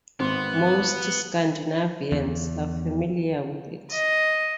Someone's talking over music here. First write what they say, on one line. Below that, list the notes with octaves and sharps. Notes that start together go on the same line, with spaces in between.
Most Scandinavians are familiar with it.
G#1 B3 C4 C6
E2
D#5